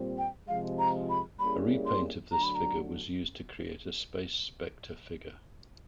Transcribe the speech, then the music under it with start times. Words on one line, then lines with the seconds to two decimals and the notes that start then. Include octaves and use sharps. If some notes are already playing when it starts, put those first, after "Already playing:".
A repaint of this figure was used to create a Space Specter figure.
Already playing: A#2 G3 C4
0.18 G5
0.48 C3 F3 G#3 F5
0.79 A#5
1.10 B5
1.39 G3 A#3 C#4 E4 G#4 B5
1.86 C6
2.32 D3 F#3 A3 D4 A#5
2.43 B5
2.55 A#5